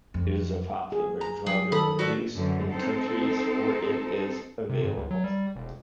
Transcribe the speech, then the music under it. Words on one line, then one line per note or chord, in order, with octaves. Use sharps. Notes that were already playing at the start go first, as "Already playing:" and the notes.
It is a popular drug of abuse in countries where it is available.
F2
G#4
A#5
F#3 G#4
D#3 A4 B5 D#6
F#4 D5 E5
F#2 D3 E3
C4 D#4 A4
C3
G2
C#2
F#3
G3
E1